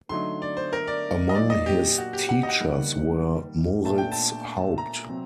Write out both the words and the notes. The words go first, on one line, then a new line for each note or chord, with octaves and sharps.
Among his teachers were Moritz Haupt.
D3 F#3 A3 D#4 C6
D5
C5
A#4
D5
D#5
A#2 F#3 A#3 D#4 D5
D#5
G4
F#4
G4
F#5
D#5
F#5
D#3 G3 A#3
A#2 A3 D4 A5
G5
A5
A#5
C3 F#3 C4